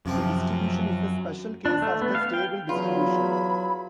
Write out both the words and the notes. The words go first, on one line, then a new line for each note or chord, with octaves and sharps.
The distribution is a special case of the stable distribution.
F#2 C3 F3 C4
D4
A3
B3
F5
G5
E2 F#3 F4 B5